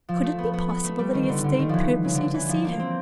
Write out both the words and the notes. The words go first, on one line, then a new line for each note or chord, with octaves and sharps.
Could it be possible that he had stayed purposely to see her?
F3
A3
B3
B3
B3
A3
G3
D#3
D3
D3
D#3
E3 F3
C#3
D3
E3
F3
A#3
C4